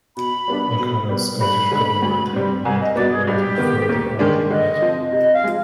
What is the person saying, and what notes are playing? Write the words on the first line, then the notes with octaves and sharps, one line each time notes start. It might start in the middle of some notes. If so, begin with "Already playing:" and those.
The current Scottish Government have not commented further on the matter.
B2 B5
G3 B3 D4
B2
G3 B3
G2 B5
D3 G#3
D2
C3 G3 C4
C2 G#5
D#5
B2 B3 D5
G#4
G2 G4
D#3 B3
D#2
D#3 G#3 D4
D3 D#5
F3 C4
C3 D#5
F5
F3 G#3